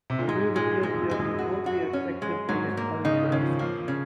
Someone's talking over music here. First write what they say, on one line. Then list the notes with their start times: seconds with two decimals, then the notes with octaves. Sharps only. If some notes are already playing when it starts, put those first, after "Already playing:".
The move appears to have been broadly effective in its own terms.
0.10 C3
0.19 A#2
0.28 G#2 G#3
0.55 A#2 G#3
0.83 G#2 G#3
0.93 F2
1.02 F#2
1.11 G#3
1.20 F#2
1.39 F#4
1.66 F#4
1.93 C#4
2.22 G#3
2.49 G#2 F#3
2.67 G#2
2.77 A#3
3.05 C#3 D#4
3.23 D#3
3.32 C#3
3.41 F3
3.59 F3 A#3
3.78 F3
3.88 C#3